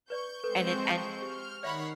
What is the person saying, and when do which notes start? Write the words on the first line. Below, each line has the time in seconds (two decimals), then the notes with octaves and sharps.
and it and
0.10 B4 D5 C#6 G6
0.44 G#3 C4 A4 B4 C5
0.85 A5
1.22 G4 F6
1.63 D#3 C#5 D5 E5 F#5 B5 C7